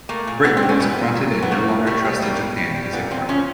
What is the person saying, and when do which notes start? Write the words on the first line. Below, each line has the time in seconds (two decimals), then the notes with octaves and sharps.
Britain was affronted and no longer trusted Japan as a partner.
0.09 A3 A#3
0.27 A#2
0.44 G3 B3
0.57 C4
0.63 G3
0.69 C#4
0.80 A#2 B3
0.99 A#2
1.15 F#3
1.34 A#2
1.42 B3
1.51 A3 A#3
1.68 A#2
1.87 G3 A3
2.05 G3
2.22 B2 A#3
2.40 B2
2.57 G3
2.76 G3
2.93 A#2 B3
3.11 A#2 C4
3.29 F3 C#4